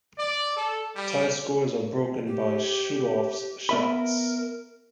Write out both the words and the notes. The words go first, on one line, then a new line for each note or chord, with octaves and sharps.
Tie scores are broken by shoot-offs shots.
D5
A4
G3
G4
B3 A#4 E5 B5